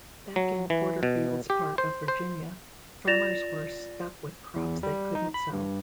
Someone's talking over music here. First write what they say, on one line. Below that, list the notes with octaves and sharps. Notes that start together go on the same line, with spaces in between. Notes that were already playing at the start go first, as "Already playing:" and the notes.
Back in Porterfield's part of Virginia, farmers were stuck with crops they couldn't sell.
F#3
E3
B2
G4
C5
C5
F4 D5 A6 A#6 E7 F7
E2
G3
D#4
B5
G2